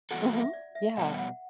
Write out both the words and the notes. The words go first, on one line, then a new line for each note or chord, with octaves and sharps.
Mhm. Yeah.
G2 E3 B3 F#4 A4 F#5
E5
E5
D5
E5
B2 G3 B3 F#5
F#5